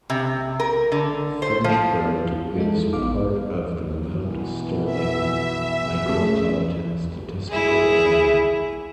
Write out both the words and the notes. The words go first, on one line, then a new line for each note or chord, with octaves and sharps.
Frenchburg is part of the Mount Sterling Micropolitan Statistical Area.
C3
A#4
D3
C5
F3
E3 G#3 D#4 E4 A4
A1 B3 F5 D6
B2 E3
E5
C#3 A3 G#4
E4 G#4